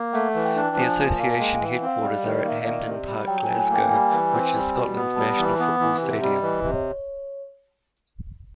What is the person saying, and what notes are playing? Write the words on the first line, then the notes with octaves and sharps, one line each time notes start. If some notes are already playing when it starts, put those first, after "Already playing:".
The association headquarters are at Hampden Park, Glasgow, which is Scotland's national football stadium.
Already playing: A#3
A3 F#5
E3
G5
D4
F3 G#5
G#5
A#2
A5
A#3
G#5
G#3 G5
E3 F5
F#5
C4 F5
G3 D#5
D#3
D5
A#3 E5
D#5
D#3 D5
C3
G3
F#3 G5
G#5
A2
G#5
A#3
G5
G3 G#5
E3
C4
G3
B2
B3
G3 A5
E3
B3
E3 G#5
F#5
C3
E5
G3 D#5
E3 D#5
C3
C#5